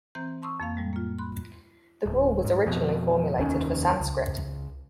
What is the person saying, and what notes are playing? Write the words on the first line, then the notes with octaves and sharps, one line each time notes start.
The rule was originally formulated for Sanskrit.
E3 C4 C5 A#5 G6
A5 C6 C#6 D#6 E6
F2 A#3 F5 A6
A2 G3 G#3
A#3 F4
B5 C6 F#6
D1
G#2
F2 B2
F1 D#2 D#3 C#4
C#2